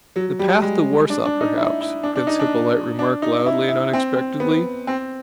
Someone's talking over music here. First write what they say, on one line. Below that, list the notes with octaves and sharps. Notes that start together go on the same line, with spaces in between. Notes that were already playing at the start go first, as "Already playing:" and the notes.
"The path to Warsaw, perhaps," Prince Hippolyte remarked loudly and unexpectedly.
F#3
G3
G#3
D4
D4
D#4
E4
E4
D4
D4
D#4
D4
D4
D#4
E4
E4
C4
C4
B3
C4